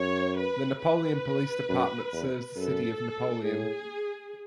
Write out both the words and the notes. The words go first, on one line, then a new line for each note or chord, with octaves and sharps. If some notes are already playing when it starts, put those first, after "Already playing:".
The Napoleon Police Department serves the City of Napoleon.
Already playing: F#2 C#5
B4
B4
F#2
E2
F#2 A4
A2 G#4